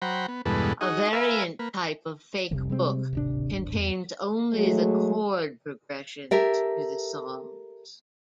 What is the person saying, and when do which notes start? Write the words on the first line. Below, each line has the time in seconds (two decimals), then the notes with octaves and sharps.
A variant type of fake book contains only the chord progressions to the songs.
0.02 F#3 C5 F#5 G5 A#5 B5
0.28 B3
0.45 E2 G2 B2 G#3 A4 B4
0.81 D#4 F#4 G#4 D#5
1.13 A#4 B4 E5 F5 G#5
1.59 A#3 B4
2.51 F1 C2 C3
2.70 G3 G#3 C4
3.13 D1 G#1 D4
3.75 E2
4.54 F#3 G#3 A3
6.31 G4 A4 A#4 E5